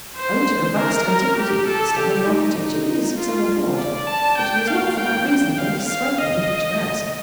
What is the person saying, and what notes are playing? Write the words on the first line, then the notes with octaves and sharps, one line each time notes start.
Owing to the vast antiquity, the style of architecture is somewhat odd, but it is not for that reason the less strikingly picturesque.
C5
A#4
G4
A4
G4
D#4
D#4
F4
D5
A5
G5
F5
G5
G5
F5
F5
D#5